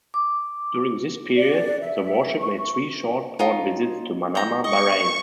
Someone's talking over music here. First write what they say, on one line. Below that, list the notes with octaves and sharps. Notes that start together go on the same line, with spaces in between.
During this period, the warship made three short port visits to Manama, Bahrain.
D6
D5
E5
C#6
D#4 F4
G5 A#5
D#5 C#6